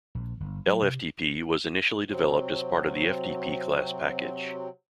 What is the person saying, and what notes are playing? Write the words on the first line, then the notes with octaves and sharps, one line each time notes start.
Lftp was initially developed as part of the ftpclass package.
A#1
G1
F#3
C3
C3 F#3 C4